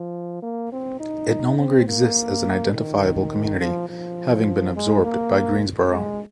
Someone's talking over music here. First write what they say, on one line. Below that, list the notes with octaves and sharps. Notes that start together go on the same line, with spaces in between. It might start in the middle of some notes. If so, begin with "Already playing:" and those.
It no longer exists as an identifiable community, having been absorbed by Greensboro.
Already playing: F3
A#3
C4
D#4
C4
A#3
D#3
F3
F3
G#3
A#3
G#3